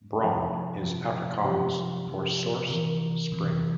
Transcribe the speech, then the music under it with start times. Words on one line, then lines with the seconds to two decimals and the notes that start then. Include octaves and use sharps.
Bron is Afrikaans for 'source', 'spring'.
0.20 C3 F3
0.82 C3 F3
1.44 C3 F3 G4
2.07 C3 F3
2.69 C3 E3 A#4
3.32 C3 E3